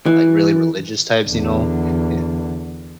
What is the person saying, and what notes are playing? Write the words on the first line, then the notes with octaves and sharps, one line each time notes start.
like, really religious types, you know? Yeah.
E3
E2 D3